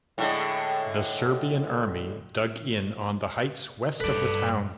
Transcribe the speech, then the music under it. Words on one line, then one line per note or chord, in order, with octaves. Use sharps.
The Serbian army dug in on the heights west of the town.
A2 D3 G#3
A#1 G2 A4 B4 D5